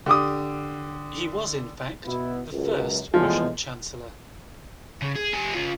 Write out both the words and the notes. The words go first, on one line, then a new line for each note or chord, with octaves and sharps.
He was, in fact, the first Russian chancellor.
D3 G4 D6 D#6
B2 B3 E4
C#2 F#2
E2 A2 F3 G#3
C#3
G#4
G3 G#5
C#3 F4